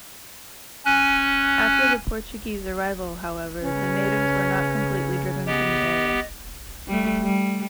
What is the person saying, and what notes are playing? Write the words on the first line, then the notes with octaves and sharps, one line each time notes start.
After the Portuguese arrival, however, the natives were not completely driven from the area.
C#4 G#5 F#6
C#3 C#4 B4
B3 G4 D#5
G3 A3
G3